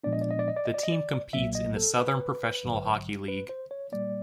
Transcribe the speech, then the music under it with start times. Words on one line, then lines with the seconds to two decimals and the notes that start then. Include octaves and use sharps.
The team competes in the Southern Professional Hockey League.
0.04 A#2 F3 G#3 B3 D4 D5
0.13 D#5
0.22 D5
0.31 D#5
0.39 D5
0.48 D#5
0.56 D5
0.65 D#5
0.74 D5
0.83 D#5
0.92 D5
1.33 B1 A#2 F#3 A#3 E5
1.55 D#5
1.76 A4
1.98 B4
2.63 A1 G2 D3 F#3
3.28 B4
3.49 C5
3.71 C#5
3.92 A#2 G3 A#3 D5